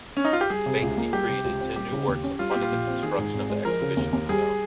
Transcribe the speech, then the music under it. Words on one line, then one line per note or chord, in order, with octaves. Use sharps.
Banksy created ten new works and funded the construction of the exhibition himself.
C#4
D#4
F4
G4
G3 G#4
C3
C#2
A#3
G3 G4
C3
C#2
C4
G3 G4
C#3
D#2
C#4
G3 F4
A#2 G4
F4
A#1
C4
D#3 G#4
G#2
G#1
G#3
F3 A#4
C#3
D#2
D#2
G3 G#4